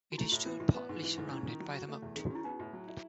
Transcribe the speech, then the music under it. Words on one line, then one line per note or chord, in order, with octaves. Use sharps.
It is still partly surrounded by the moat.
F#4
A3 E4
A2
E3
A2
B3
G#2
E3
G#2
C#4 E4
D#3
F#3
F#4
A3
E2
D#3 G#4
F#4
C#4 E4
B3 D#4
A2
F#3
E4